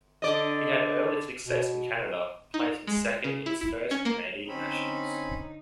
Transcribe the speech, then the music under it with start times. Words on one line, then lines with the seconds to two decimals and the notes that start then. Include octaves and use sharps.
He had early success in Canada, placing second in his first Canadian nationals.
0.22 D3 D5 D#5
1.45 B2
2.54 D#4
2.87 G#3
3.24 C#3
3.46 E4
3.61 E4
3.91 C#4
4.05 A#3
4.48 D3 C4 C#4 D#4 B5